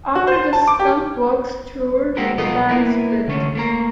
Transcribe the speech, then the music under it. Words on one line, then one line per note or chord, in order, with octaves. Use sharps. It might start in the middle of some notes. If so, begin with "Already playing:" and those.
After the Skunkworks tour, the band split.
F#4
C5
A5
D6
G4
G#3 A#3 C4 F#4 G4 A#4
B1 F3 B3 F4 D#5 A#5
A#3 E4 A#4 B4
D3 A3 C#4
A3 A#3 A#5